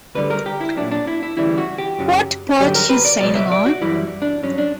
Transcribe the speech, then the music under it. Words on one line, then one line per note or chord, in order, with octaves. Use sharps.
What boat you sailing on?
D2 D3 G3 B4
A#4
G4
E4
A#2 F#3 D4
D4
E4
E4
D2 C#3 E3 G3 E4
F#4
G4
F#2 C#3 F#3
G2 D3 F#3 G4
A#4
B4
D5
C#2 B2 F#3 D5
E5
D5
F#4
F#2 E3 G3 E4
D4
G2 F#3 C#4
D4